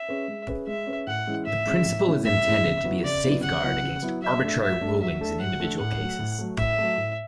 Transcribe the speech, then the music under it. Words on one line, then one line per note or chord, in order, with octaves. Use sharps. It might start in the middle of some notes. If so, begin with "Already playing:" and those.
The principle is intended to be a safeguard against arbitrary rulings in individual cases.
Already playing: E5
C#4 G#4 B4
G#3
C#4 G#4 B4
G#3 E5
C#4 G#4 B4
A2 F#5
E3 G#3 C#4 E4
A2 E5
E3 G#3 C#4 E4
A2
E3 G#3 C#4 E4
A2 E5
E3 G#3 C#4 E4
C#3
F#3 B3 E4
C#3 D5
F#3 B3 E4
C#3 F#5
F#3 B3 E4
C#3
F#3 B3 E4
F#3 E5
A3 D4 A4
F#3 E5
A3 D4 A4
F#3 E5
A3 D4 A4
F#3 F#5
A3 D4 A4
A2 F#5
F#3 A3
A2
F#3 A3
A2 E5
F#3 A3
A2